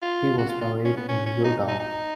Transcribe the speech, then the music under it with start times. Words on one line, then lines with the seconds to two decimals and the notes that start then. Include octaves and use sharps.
He was buried in Wildau.
0.02 F4
0.38 F#4
0.49 F4
0.61 F4
0.85 C#4
0.97 B3
1.09 C#4
1.26 C#4
1.44 D#4
1.68 D#4
1.80 D#4